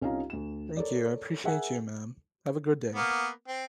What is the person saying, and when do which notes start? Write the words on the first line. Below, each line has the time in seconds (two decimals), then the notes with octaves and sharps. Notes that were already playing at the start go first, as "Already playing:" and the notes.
Thank you, I appreciate you, ma'am. Have a good day.
0.01 C2 C#4 D#4 F4 F5 A#5
0.30 D2 E7
0.77 A4 A#4 C#5 D5
1.44 G#4 A#4 E5 F#5 G#5
2.95 A#3 B3
3.48 C4